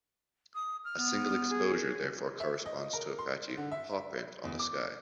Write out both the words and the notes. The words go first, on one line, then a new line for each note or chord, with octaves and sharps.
A single exposure therefore corresponds to a patchy "paw print" on the sky.
D#6
F6
B3
G#4
E5
D#5
A#4
C6
D3
E5
E2
D6